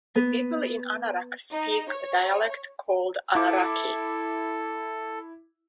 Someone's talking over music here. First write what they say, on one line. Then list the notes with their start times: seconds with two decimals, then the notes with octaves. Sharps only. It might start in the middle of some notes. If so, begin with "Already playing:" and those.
The people in Anarak speak a dialect called Anaraki.
0.16 B3
1.52 D#4
1.89 C#5
3.35 E4 A4 D6